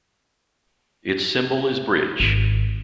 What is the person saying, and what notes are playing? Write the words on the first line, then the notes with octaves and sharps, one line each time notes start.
Its symbol is bridge.
G#1